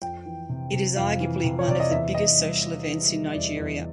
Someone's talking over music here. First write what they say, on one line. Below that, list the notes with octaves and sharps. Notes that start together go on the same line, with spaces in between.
It is arguably one of the biggest social events in Nigeria.
F2 G5
E3
C3
C3
F2 F5
E3
C3
C#5
C3 D5
D#5
E2 E5
E2 D#5
G3
G3
E3
G3
E2 D5
E2